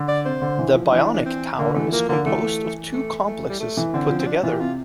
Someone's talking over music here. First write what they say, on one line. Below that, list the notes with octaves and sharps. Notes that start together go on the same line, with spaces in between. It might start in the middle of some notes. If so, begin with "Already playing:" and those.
The Bionic Tower is composed of two complexes put together.
Already playing: D3
D5
C3 C5
D3
E3
F3
E3 D4
D4
C4
D3 A#3
E3 A3
F3 A#3
D3 A#3
E3 A3
A3
A3
G3
A3
E3
D3 C4
F3
C4
D4
E3 F4
G4
C3 F4